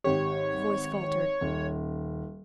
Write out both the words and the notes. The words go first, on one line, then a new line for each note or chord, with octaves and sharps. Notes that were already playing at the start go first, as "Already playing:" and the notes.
Her voice faltered.
G#1 G4 C#5
D#1